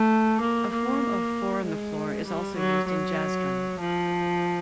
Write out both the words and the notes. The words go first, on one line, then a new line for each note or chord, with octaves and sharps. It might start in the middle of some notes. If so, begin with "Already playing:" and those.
A form of four-on-the-floor is also used in jazz drumming.
Already playing: A3
A#3
A#3
G#3
G3
F#3
F#3
F3